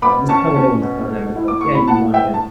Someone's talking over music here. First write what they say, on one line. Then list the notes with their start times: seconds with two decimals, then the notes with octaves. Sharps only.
uh, that's kind of what I wanna instill in them. It's, like, yeah, you wanna,
0.02 B2 B5 D6
0.29 C#4 A5 C#6
0.56 C#4
0.82 B2
1.08 A3
1.36 E4
1.48 D6
1.61 A2 C#6
1.75 B5
1.87 A2 F#5 A5
2.14 B2 E5 G5
2.34 A5